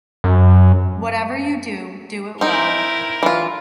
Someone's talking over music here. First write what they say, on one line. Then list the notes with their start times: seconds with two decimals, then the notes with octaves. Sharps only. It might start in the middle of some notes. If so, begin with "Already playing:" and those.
Whatever you do, do it well.
0.24 F#2
2.41 C4 D#4 E4 A#4
3.23 E3 F4